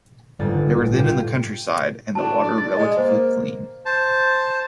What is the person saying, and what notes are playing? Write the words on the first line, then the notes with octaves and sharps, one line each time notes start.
They were then in the countryside, and the water relatively clean.
G1 G#2 G3 A6
D3
A#2
F4 G4
A2 F#3 D4 A5
A3 D4 D5
A6
G#3 D#5
A#3 C5
C5 A5